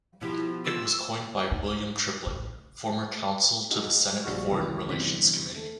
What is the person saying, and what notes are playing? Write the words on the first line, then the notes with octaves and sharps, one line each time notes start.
It was coined by William Triplett, former counsel to the Senate Foreign Relations Committee.
B2 F3 E4 G4
F4 E6
D#4
A1
D#4 F#4 G#4
A#1 G3 F#4 C#6 F6
C#2 F#2 D#3 E3
G1 C3 E3 C4 B6
A3